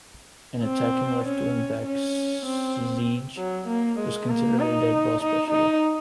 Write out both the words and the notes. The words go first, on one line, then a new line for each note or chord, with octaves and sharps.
An attacking left wing-back, Ziege was considered a dead-ball specialist.
C4
C#4
C#4
C4
F#3
A#3
G#3
A#3
D#4
D#4
D#4